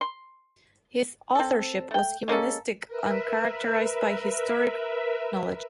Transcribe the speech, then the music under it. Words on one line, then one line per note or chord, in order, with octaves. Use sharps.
His authorship was humanistic and characterized by historic knowledge.
C6
C4 A4
A3 G5
G#3 A#3 C#4 A4
A#4 B4 E5